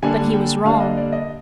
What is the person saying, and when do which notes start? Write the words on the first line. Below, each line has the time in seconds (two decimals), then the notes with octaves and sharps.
But he was wrong.
0.02 D3 G3 A#3 D4 G#5
0.33 G5
0.64 D3 G3 A#3 D4 F5
0.80 D#5
0.97 D5
1.12 D#5